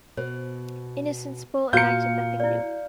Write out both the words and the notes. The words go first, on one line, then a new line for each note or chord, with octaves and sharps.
Innocent's Bull enacted nothing new.
B2 C5
A#2 F#4 F5 A#5 G6 C#7
E4 D5